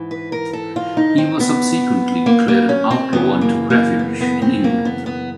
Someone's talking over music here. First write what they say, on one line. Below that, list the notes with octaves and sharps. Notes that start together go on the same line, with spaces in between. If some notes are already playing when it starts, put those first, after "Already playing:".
He was subsequently declared an outlaw and took refuge in England.
Already playing: G#2 E3
B4
A#4
A4
F4
D#4
C4
B3
A#3
A#3
C#4
C4
F#2 C#3 E3 B3
A#3
A#3
B3
B3
C4
A#3
B3
B3